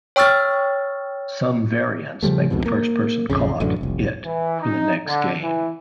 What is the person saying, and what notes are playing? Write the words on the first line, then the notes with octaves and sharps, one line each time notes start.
Some variants make the first person caught "It" for the next game.
C#5 G5 C#6 E6 F6 A6
C#3 F3 G3 A3
C2 F2 G#2 B2
A#3
A#1 F2 C#3
A1 F#2 D3
F1 C2
E3
D#4
D3
E3